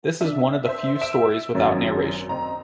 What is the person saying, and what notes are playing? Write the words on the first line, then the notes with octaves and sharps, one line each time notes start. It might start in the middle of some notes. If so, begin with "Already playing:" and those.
This is one of the few stories without narration.
D4 E5
C5 E5
E5 E6 B6 D7 E7
G#1 F#2 F#3
C4 D#5 A#5